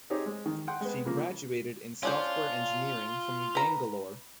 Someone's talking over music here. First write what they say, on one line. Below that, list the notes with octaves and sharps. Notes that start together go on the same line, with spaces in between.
She graduated in software engineering from Bangalore.
C4 D#4 G4 G#4 C#5
G#3
D#3
F#5 G5 C6
G#3 B3
C#3 F3 A#3
C#4 D4 F4 C5
B4 A#5